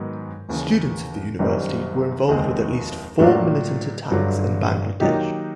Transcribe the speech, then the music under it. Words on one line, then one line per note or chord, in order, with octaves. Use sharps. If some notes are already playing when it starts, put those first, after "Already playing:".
Students of the university were involved with at least four militant attacks in Bangladesh.
Already playing: G#2 D#3 F#3 B3
D#2 C#3 E3
F#1 F#2 D#3 G3 A#3
F1 D#2 D#3 G#3 C4
A2 F#3 A#3 D4 F4
G1 G2 D3 F#3
D#3 F#3 A#3 D#4 G4